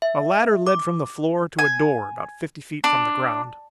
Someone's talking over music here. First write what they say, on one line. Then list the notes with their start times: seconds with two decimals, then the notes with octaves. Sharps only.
A ladder led from the floor to a door about fifty feet from the ground.
0.02 E5
0.67 D6
1.59 G#5
2.84 D4